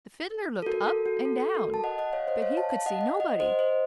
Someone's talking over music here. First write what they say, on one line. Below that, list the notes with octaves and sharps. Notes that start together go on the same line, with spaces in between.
The Fiddler looked up and down, but he could see nobody.
A4
F#4 A#4
A4
F#4
A4
A4
F#4 A#4
A5
D#5 F#5
D#5 F#5
C#5 F5
C5 D#5
C#5 F5
F5 A5
F5 A5
D#5 F#5
D#5 F#5
D#5 F#5
C5 D#5
C5 D#5